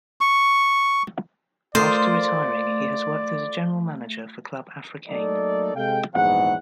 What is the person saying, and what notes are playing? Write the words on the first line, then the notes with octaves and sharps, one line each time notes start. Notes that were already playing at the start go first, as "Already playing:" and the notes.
After retiring he has worked as a General Manager for Club Africain.
C#6
A3 F4 A#4 C5 D5 D#5
F#3 A3 A#3 D#4 A4 D5
C3 G#3 A4 F5 G5
A#1 E2 G#2 F#3 B3 F#5